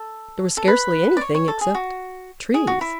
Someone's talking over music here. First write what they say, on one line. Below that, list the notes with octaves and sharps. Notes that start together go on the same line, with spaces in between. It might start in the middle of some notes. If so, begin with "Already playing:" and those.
There was scarcely anything except Trees.
Already playing: A4
A4
B4
D5
C#5
C#5
A4
G#4
F#4
G#4
F#4
E4